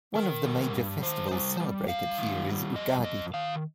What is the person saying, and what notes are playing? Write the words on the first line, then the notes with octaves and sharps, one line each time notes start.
One of the major festivals celebrated here is Ugadi.
D#3 A#4
G3
G2
D#3 C5
G3
G3
G3 F5
D#3
G3
F2 D#5
F2 D#5
D#3 F5